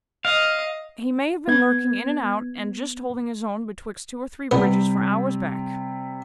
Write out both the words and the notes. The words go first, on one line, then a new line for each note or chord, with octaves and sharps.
He may have been lurking in and out, and just holding his own betwixt two or three bridges, for hours back.'
D#5 F5
B3 G#6
C3 G3 B3